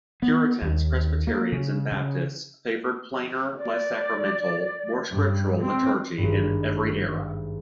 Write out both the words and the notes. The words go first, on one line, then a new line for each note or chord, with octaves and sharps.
Puritans, Presbyterians and Baptists favoured plainer, less sacramental, more scriptural liturgy in every era.
B3
D#2
A#3
C#3
C#3
D5
G2
C4
G#1 G2